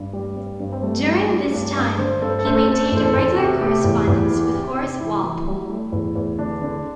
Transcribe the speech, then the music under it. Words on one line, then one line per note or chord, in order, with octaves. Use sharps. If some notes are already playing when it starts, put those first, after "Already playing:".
During this time, he maintained a regular correspondence with Horace Walpole.
Already playing: G2
G3
G2
G2
C4
G3 A3
G3
G3
G2 D4
G2 D4
D3 C5
G2 A4
C5
A4
A3 C5
A4
C5
A3 A4
C5
E2 A4
C5
A4
E2 C5
A4
C3
A3 G4
E2
E2
E3
C3
C3
E3 E4
E3
G3
A3
E2
E2
D3 D4
D3